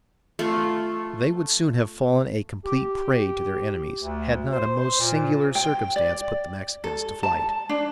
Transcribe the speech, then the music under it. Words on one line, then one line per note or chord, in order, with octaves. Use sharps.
They would soon have fallen a complete prey to their enemies, had not a most singular circumstance put the Mexicans to flight.
A3 F4
G4
D2
C5
C5
A#2
G5
D5
A4
A5
D4